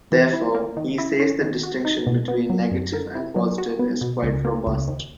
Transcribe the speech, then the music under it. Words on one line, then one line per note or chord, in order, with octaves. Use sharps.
Therefore, he says the distinction between negative and positive is quite robust.
E3
E4
A#3
D#3
E4
C#4
D#3
F#4
D#4
B2
B3
F#3
F#2
A#4
E4
F#3
F#4
B3
B2
C#2
A#3
C#2
D#2